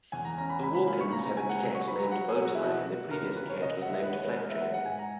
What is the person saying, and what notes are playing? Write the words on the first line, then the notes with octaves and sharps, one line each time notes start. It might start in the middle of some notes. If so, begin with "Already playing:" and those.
The Walkens have a cat named Bowtie and their previous cat was named Flapjack.
E2 G#5
A#5
C#4 A#5
B5
C#2 B5
B5
A#3 B5
C#6
C#3 A#5
A#5
C#2 G#5
F#5
F#3 A#5
C#6
F#3 B5
A#5
F#3 F#5
G#4
F#3
F#4
E4
B2 F#4
F#3
D#2 A#4
B4
C#3 B4
C#5
C#3 D#5
F#5
D#2 E5
B4
G#3 C#5
B4
G#3 A#4
E5
F#3 F#5
F#5
G#2 G#5
A#5